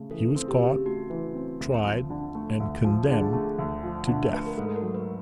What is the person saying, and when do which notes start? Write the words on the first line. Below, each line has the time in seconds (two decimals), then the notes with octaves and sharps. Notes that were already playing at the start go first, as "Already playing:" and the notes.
He was caught, tried, and condemned to death.
Already playing: C#3 A3
0.11 E3 A4
0.36 C4
0.48 G4
0.61 C#3
0.86 A3 F#4
1.10 E3
1.35 C4
1.60 D2
1.85 F3
2.10 D3
2.35 A3
2.60 D2
2.84 F3
3.09 D3 G#4
3.33 A3
3.58 D2
3.83 F3
4.07 D3
4.32 A3 B4
4.46 A#4
4.57 G#2 A4
4.76 A#4
4.82 F#3
4.94 B4